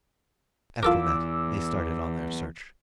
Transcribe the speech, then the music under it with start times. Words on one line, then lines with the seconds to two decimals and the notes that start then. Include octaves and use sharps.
After that, they started on their search.
0.83 E2 F4 A4 A#4 D6 E6